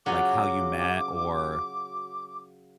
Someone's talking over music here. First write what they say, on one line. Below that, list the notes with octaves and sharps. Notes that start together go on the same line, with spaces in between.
like how you met or
C#3 F#3 F4 F#4 G#5 D6